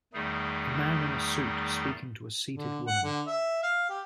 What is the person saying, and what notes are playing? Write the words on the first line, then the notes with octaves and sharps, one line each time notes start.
A man in a suit speaking to a seated woman.
E2 D#3 G3 A3 D#4 G#4
D3
F#5
D3
E5
F5
G4